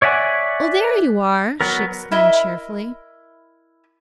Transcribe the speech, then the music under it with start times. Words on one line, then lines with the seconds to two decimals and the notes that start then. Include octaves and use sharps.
"Oh, there you are!" she exclaimed cheerfully.
0.02 C#5 D5 E5 F#5 G#5
1.61 F#3 B3 A#4
2.11 E4 A#4 D#5 E5